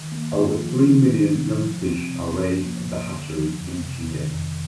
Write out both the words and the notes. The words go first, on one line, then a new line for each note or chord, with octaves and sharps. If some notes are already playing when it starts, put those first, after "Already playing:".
Over three million young fish are raised at the hatchery each year.
Already playing: D#3
A#3
F4
F3
D#3
G3
C3
F3
C4
C3
F3
A#3
G#2
D3
F3
F2
C3
D#3
F2